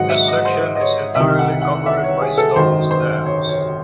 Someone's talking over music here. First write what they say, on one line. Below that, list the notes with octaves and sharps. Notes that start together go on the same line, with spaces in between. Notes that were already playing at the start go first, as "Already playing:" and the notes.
This section is entirely covered by stone slabs.
Already playing: G#1 G#2 F#3 D#5 F#5
E5
D#5
C5
D#5
C#5
C2 C3 D#3 E5
F#5
F#5
E5
C#5
G#4
A4
G#1 F#2 D#3 C5
C5
C#5
C#5